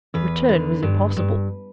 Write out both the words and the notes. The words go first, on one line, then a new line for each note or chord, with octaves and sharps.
Return was impossible.
E2 B4
D3
G2
G2